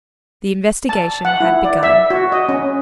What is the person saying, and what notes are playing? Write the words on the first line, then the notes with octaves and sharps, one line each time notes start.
The investigation had begun.
A5
F#5
E4
D5
E5
F#4
D#5
C#4